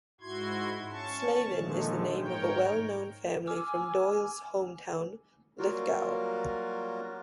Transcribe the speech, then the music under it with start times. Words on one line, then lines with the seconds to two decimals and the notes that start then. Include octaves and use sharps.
Slaven is the name of a well known family from Doyle's home town, Lithgow.
0.21 G#2 E4 F#4 C6 G#6
0.90 C#4 A5 C#6
1.47 A#2 D3 D#3 F3 G#3 A3
2.19 G#2 A#4 C#5 G5
3.47 G#5 D6 E6 F6
5.59 F#3 G3 A#3 F4 F#4 A#4